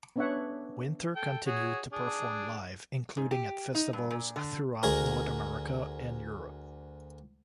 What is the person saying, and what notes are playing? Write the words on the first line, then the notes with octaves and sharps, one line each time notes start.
Winter continued to perform live, including at festivals throughout North America and Europe.
B3 C#4 D4 C#5 E5 F#5
A4 G5
F#4 G#4 C#5
D4 G#4
G#2
G4
D#4
G2
A#2
D3
D2 G#4 A#4